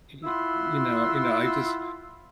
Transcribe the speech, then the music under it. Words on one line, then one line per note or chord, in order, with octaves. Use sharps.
y y you know you know, I just
E4 F4 F#5 B5 C6 E6